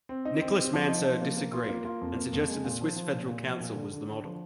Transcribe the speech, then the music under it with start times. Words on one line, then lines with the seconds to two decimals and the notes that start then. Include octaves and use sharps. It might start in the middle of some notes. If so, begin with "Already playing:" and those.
Nicholas Mansergh disagreed and suggested the Swiss Federal Council was the model.
0.09 C4
0.25 D#4
0.42 C4
0.57 C4
0.74 F3
0.89 D#4
1.05 F3
1.21 A#3
1.37 A#3
1.53 F4
1.69 A#3
1.85 F4
2.01 F2
2.17 A#3
2.33 F2
2.48 G#3
2.64 A#2
2.81 F3
2.96 F3
3.12 A#2
3.28 A#2
3.44 F3
3.60 A#2
3.76 D3
3.92 D3
4.08 D3
4.24 F3